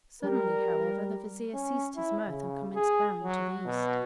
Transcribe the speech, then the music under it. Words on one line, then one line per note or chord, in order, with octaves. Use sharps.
Suddenly, however, the Vizier ceased his mirth, and commenced bowing to the east.
G3 A#4
C#4
E4
C#3
G#4
F#3
B2